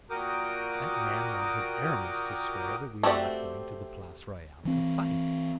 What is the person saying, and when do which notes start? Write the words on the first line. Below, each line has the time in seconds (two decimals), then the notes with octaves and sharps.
"That man wanted Aramis to swear that we are not going to the Place Royale to fight."
0.10 A#2 F#4 A#4 G5 D6 D#6
3.03 A3 C4 F#4 G4 D5
4.65 E3 C4